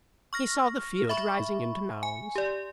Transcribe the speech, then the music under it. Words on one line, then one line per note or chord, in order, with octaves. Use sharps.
He saw the field rising into mounds.
C#6 F6 A#6
E5 B5 C#6
G#5
G4 D5